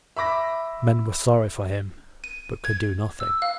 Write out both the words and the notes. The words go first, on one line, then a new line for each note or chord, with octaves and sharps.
Men were sorry for him, but could do nothing.
E5 B5 D6 A#6
D#7
G#6
E6
F5